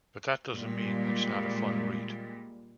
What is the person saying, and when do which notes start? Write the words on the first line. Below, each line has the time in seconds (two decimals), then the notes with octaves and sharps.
But that doesn't mean it's not a fun read.
0.54 A#2 G3 G#3